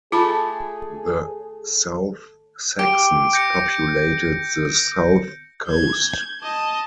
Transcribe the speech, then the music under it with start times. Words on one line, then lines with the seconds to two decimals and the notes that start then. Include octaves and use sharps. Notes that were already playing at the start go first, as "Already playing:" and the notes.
The South Saxons populated the south coast.
0.12 A3 F4 G#4 A5 B5
2.79 G4 D7
3.33 G6 A#6 C#7
5.67 G6 G#6
6.42 D#5 A5